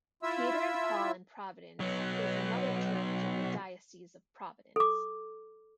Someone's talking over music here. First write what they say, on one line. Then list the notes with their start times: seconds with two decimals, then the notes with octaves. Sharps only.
Peter and Paul in Providence is the mother church of the diocese of Providence.
0.23 E4 F4 E5 E6
1.80 B1 F#3
4.76 A4 D6